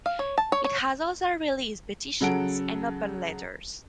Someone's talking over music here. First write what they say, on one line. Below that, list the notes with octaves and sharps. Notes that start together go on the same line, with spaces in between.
It has also released petitions and open letters.
F5
C#5
A5
C#5
C#5
C#3 F#3 A4 F#5 D7